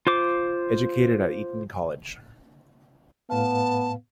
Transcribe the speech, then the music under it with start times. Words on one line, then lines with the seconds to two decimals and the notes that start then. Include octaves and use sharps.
Educated at Eton College.
0.07 F4 C5 D6
3.30 A2 B3 B4 F5 A5